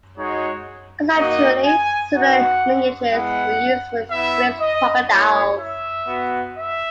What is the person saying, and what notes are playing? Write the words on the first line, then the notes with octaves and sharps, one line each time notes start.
Conceptually similar linkages were used for the Swiss "crocodiles".
G#3 D#4 F#4 C#5
A#3 D#4 F#4 D#5
G#5
B3 D#4 F#4 F#5
G#3 B3 E4 F#5
B3 E4 E5
D#5
A#3 E4 C#5
E5
B3 F#4
E5